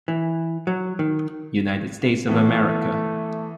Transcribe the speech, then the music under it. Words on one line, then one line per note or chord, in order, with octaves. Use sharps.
United States of America.
E3
F#3
D#3
E3 A3 B3